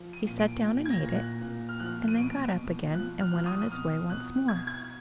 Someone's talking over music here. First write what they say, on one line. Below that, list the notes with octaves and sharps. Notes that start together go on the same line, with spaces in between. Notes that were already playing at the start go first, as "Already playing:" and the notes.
He sat down and ate it, and then got up again and went on his way once more.
Already playing: F3
D#7
A#2
D7
A#2
G#6
A#6
A#2
F#6
A#2
F6
F3 F#6
D#7
B2 D7
B2
F3 F#6
F6
F3 F#6
F6
D#6
B2 F6
B2 F#6
B2 G#6
G#6